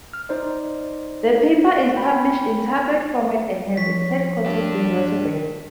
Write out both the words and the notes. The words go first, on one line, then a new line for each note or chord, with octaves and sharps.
The paper is published in tabloid format and has its headquarters in Rotterdam.
F6
D#4 C5 D5
G5 B5
F3 C#5 B6
D4 G4